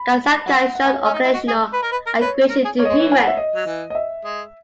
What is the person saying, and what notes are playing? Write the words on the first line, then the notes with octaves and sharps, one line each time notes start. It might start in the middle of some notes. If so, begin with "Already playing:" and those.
Kasatka showed occasional aggression to humans.
Already playing: B5
F#3 F#5
F#5
B3 G#5
C#5
C#4 D#5
D#4
E4
F#4
G#4
B4
A#4
B4
A#4
B4 C#5
A#4
G#4
A#3 C#5
D#5
G#3
C#5
E3
G#5
F#5
E5
D#5
F#3
E3
D#5
E5
G#3